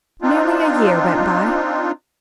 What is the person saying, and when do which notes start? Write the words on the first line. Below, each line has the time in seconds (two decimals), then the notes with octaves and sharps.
Nearly a year went by.
0.22 C4 D4 D#4 F4